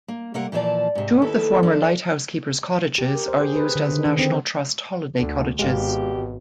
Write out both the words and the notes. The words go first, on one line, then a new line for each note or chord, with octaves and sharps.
Two of the former lighthouse keepers' cottages are used as National Trust holiday cottages.
A#3
C3 G3 A#3 A#4 F#5
A#2 E3 F3 C#5 D5 A5
G#2 C3
D#2 E4 A4 B4
F3 D4
G4
A#4
C5
G#4
B4
D3
D3
D#3
C4
D2 D3
G#1 B2 G#3 G4 F5